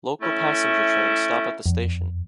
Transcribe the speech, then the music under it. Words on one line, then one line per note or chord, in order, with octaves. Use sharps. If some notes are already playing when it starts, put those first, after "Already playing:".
Local passenger trains stop at the station.
A3 C#4 E4
F2